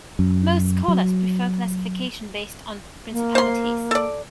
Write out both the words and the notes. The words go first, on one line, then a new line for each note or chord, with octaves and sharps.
Most scholars prefer classification based on principalities.
F#2
F#3
A#3
C5 C6
A4 D5